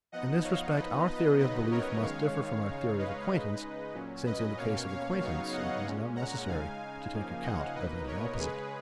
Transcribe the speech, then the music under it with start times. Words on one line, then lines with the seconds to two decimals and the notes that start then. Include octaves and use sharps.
In this respect our theory of belief must differ from our theory of acquaintance, since in the case of acquaintance it was not necessary to take account of any opposite.
0.12 F3 B3 D#4 D#5 F#5
0.44 C#5 F5
0.76 F3 B3 D#4 B4 D#5
1.08 B4 D#5
1.39 C#3 F#3 B3 D#4 B4 D#5
1.71 A#4 C#5
2.03 D#3 G#3 C#4 C#5 F5
2.67 C#3 G#3 D#4
2.98 B4 D#5
3.31 C#3 G#3 D#4
3.94 A#2 F#3 C#4
4.26 B4 D#5
4.57 B2 A#3 C#4 C#5 F5
4.89 C#5 F5
5.21 C#3 F#3 B3 D#4 C#5 F5
5.52 D#5 F#5
5.84 A#2 G#3 C#4
6.16 F#5 A#5
6.48 C#3 G#3 D#4 F5 G#5
7.11 C#3 F3 A#3 D#4
7.43 D#5 F#5
7.75 B2 A#3 D#4 B4 D#5
8.07 A#4 C#5
8.39 C#3 G#3 C#4 G#4 B4